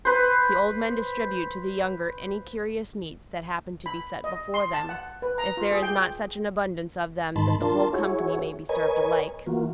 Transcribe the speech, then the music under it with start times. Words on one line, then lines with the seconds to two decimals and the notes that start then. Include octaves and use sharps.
The old men distribute to the younger any curious meats that happen to be set before them, if there is not such an abundance of them that the whole company may be served alike.
0.05 B4 C5
3.86 B5
4.24 D#5
4.54 C6
4.73 A5
4.89 F#5
5.22 B4
5.38 A#5
5.57 F4
5.71 G#4
5.82 G5
7.36 G#2 D#3 A5 B5 C6
7.61 D4 F4 A#4 A5 C6
7.93 E4 F#4 G#4 C#5
8.69 A#4 B4 C#5 D#5 G#5
9.46 E3 A#3 F4 F#4